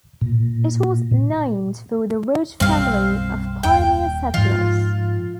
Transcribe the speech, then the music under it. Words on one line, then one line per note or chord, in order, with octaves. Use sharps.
It was named for the Roach family of pioneer settlers.
A#2
B1 F#2 G3 C4 F5
D#1 G5
G#2 F3 F4